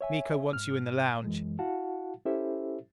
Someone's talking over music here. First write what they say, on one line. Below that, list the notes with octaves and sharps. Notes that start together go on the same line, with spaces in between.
"Miko wants you in the lounge."
C#5 E5 G#5
G#2 F6
F#2 E3 G#3
E4 F#4 F5 F#5 A5
C#4 E4 G4 A4 C5 E5